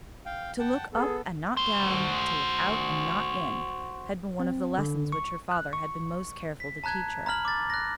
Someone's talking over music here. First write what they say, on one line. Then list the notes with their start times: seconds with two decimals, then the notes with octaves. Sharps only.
"To look up and not down, to look out and not in," had been one of the lessons which her father had been most careful to teach her.
0.26 F5 G5
0.59 F#5 G5 A5
0.93 B3 G#4 A4
1.57 F#4 C5
4.40 C4
4.78 D3
5.12 C#6
5.52 F#6
5.73 C#6
6.60 B6
6.84 A5 A#5 F#6 G#6
7.26 A#5 B5 F6 F#7
7.45 D6 A6
7.70 F#6 A#6